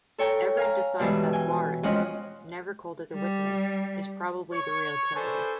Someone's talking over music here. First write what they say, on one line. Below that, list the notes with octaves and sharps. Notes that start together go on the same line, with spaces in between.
Everett decides that Warren, never called as a witness, is probably the real killer.
A4 C#5 G5 A#5
F5 G#5 A#5
G2 B2 E3 G#3
G5 G#5
F2 G#3 C#4 D#5 F#5 F6
G3
C#5 C#6
D4 A4 B4 C5 G#5